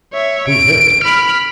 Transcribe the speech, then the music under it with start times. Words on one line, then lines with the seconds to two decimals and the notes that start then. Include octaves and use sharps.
"Who's hurt?"
0.13 C#5 E5
0.48 D7
1.03 B5 F6